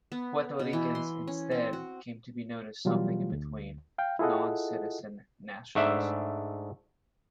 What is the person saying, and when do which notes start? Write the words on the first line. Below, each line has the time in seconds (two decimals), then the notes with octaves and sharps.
Puerto Ricans, instead, came to be known as something in between: noncitizen nationals.
0.12 B3
0.59 B2
0.73 E3
0.95 C6
1.28 C#4
1.51 C4
1.73 F#4
2.85 B2 E3 F#3 G3 F4
3.32 D2
3.98 F5 G5
4.19 E4 F4 G#4 A4 D#5 F#5
5.75 G#2 A3 D4 E5